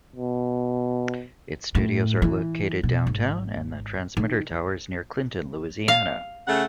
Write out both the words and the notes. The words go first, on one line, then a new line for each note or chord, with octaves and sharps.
Its studios are located downtown and the transmitter tower is near Clinton, Louisiana.
B2
A2
E3
B2
G#1
D#3
F5
C#3 A3 F#5